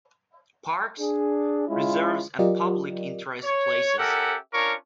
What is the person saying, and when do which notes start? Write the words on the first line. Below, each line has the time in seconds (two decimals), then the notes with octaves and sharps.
Parks, Reserves and public interest places.
0.98 D4 G#4
1.68 G#3 C#4 E4 F4
2.39 F#3 F4 G4 A#4 D5 D#5
3.44 C#5
3.97 C#4 G4 A4 A#4 E5 F#5
4.53 C#4 D4 F4 A#4 C#5 C#6